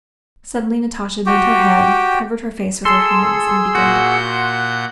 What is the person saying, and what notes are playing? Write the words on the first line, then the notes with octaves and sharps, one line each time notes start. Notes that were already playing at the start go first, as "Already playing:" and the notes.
Suddenly Natasha bent her head, covered her face with her hands, and began to cry.
F#4 G4 G5
G#4 A4 C6 E6
A#2 F#4 F#5 G6